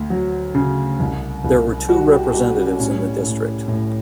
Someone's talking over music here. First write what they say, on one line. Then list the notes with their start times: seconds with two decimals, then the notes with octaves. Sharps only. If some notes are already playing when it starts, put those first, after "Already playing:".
There were two representatives in the district.
Already playing: D2
0.10 F#3
0.55 C#3
1.00 C2
1.44 C2
1.89 G3 F#4
2.11 G4
2.34 G3 F#4
2.57 C#4
2.79 A2 C#4
3.24 A2
3.68 A2